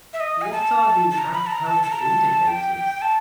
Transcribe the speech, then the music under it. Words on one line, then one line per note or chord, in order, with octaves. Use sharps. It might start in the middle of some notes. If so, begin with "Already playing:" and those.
What are the app health indicators?
E5
D#5
G#5
A5
A5
A#5
B5
A5
A#5
A5
A5
A#5
A5
G5
A5